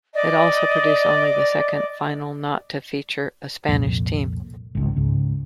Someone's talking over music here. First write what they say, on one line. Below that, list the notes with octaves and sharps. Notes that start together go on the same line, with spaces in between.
It also produced only the second final not to feature a Spanish team.
D5 D#5 D6
C2 F2 A#2
G#1 C#2 G#2
C#2 G#2